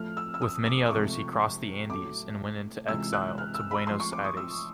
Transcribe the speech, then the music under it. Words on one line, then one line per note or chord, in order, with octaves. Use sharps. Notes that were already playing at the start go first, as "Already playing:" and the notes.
With many others he crossed the Andes and went into exile to Buenos Aires.
Already playing: A2 F3 A3 F6
E6
E6
D#6
D6
D6
C#2 C3 F3 A3 C#6
A2 F#3 A3 D6
C#2 C3 E3 G#3 E6
F#6
F6
E6
B5
A2 F3 G#3 C6
C#6
D6
D#6
E6